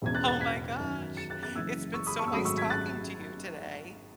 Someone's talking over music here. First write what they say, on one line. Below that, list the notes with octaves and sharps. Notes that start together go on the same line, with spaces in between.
Oh my gosh, it's been so nice talking to you today.
E1 E2 C#3 G#6
F#6 A6
F#6 A6
G#6 B6
F#2 D#3 F#3
A6 C#7
F#6 A6
F#6 A6
F#1 F#2 E3 G#3 E6 G#6
C#6 E6
B5 D#6
A5 C#6
E6
G#1 G#2 F#3 A3 B5 D#6
C#6 E6
G#6 B6
F#6 A6